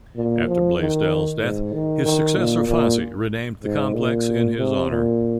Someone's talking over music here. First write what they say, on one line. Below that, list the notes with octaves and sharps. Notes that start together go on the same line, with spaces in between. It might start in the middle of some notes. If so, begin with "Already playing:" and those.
After Blaisdell's death, his successor Fasi renamed the complex in his honor.
A#2
F3
D#3
G#2
D#3
D#3
A#2
A#2
G#2
A#2
C3
A#2